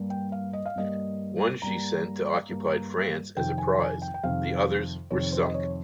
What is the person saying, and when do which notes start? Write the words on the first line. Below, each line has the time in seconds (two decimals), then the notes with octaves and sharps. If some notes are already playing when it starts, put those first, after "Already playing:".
One she sent to occupied France as a prize; the others were sunk.
Already playing: G2 G3 A#3
0.10 G5
0.32 F5
0.53 D#5
0.66 F5
0.76 G2 G3 A#3 D#5
1.62 G2 G3 A#3 A#5
2.49 G2 G3 A#3
3.36 F2 C3 D#3 G5
3.58 G#5
3.80 G#5
4.02 G5
4.14 G5
4.24 F2 C3 D#3 F5
5.11 F2 C3 D#3 C#5
5.32 C5
5.44 D#5
5.54 C#5